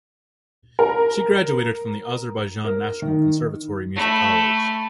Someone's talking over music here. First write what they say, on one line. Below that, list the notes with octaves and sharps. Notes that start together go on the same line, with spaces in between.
She graduated from Azerbaijan National Conservatory Music College.
A#4
A#4
D#3
A3 B5